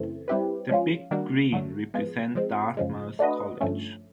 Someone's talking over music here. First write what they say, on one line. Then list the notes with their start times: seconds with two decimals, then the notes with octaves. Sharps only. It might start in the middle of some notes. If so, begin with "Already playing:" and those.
The Big Green represent Dartmouth College.
Already playing: F#2 C#3 E3 A3 C4
0.28 G3 C4 E4 G4 B4
0.69 F3 G#3 C#4 F4
1.11 D#3 G3 A#3 D4 F#4
1.53 D3 F#3 A3
1.94 F3 G#3 B3
2.35 F3 G#3 C4
2.77 F#2 C#3 F3 G#3
3.19 A3 D4 F#4 B4 D#5
3.61 G2 D3 F3 A3 C#4